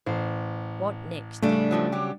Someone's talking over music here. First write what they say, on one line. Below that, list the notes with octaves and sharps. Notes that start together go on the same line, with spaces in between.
"What next, Dick?"
A1 C5
C#3 G3 A3 D4
A2 F3 F#3
F#3 G4